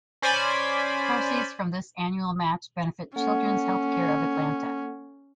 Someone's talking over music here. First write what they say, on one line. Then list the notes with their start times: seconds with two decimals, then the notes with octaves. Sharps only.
Proceeds from this annual match benefit Children's Healthcare of Atlanta.
0.22 C#4 C5 D5 G#5 B5
3.16 A#3 C#4 A4 F#5